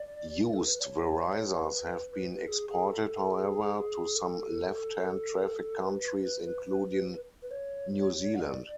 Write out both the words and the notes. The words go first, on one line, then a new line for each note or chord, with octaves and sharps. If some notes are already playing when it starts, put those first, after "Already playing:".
Used Verisas have been exported however, to some left-hand-traffic countries including New Zealand.
Already playing: D5
A4
B4
D5
C#5
B4
G#4
G#4
A4
G#4
A4
B4
B4
C#5
F#5
D5